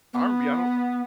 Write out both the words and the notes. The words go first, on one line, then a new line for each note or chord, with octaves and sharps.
RnB, I don't
B3